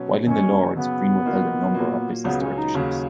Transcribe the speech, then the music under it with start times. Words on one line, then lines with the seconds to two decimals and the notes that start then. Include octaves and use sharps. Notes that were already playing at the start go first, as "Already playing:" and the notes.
While in the Lords, Greenwood held a number of business directorships.
Already playing: B2 F#3 C#4
0.27 F#2 D#3 A#3 C#4
0.76 F#2 C#3 F#3 B3
1.25 D#3 F#3 A#3 F4 A#4
1.74 A#2 F#3 A#3
2.24 C#2 C#3 F#3 B3
2.41 C#4
2.57 D#4
2.74 D#2 C#3 F#3